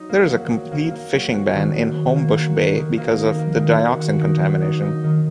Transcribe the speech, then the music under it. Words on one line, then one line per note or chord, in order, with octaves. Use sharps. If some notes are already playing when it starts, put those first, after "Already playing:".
There is a complete fishing ban in Homebush Bay because of the dioxin contamination.
Already playing: F#3 D#4
A#3
F#3
F#3
A#3
A#3
F#3
F#4
D#3
F#3
F#3
A#3
F#4
F#4
D#3
A#3
D#4
A#3
D#3
F#4
F#4
D#4
F#3
D#4
D#4
D#3